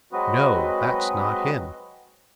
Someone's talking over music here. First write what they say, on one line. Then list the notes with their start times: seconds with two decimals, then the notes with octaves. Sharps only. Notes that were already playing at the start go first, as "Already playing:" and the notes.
"No, that's not him!"
0.12 F#3 G#3 C4 F#4 B4 D#5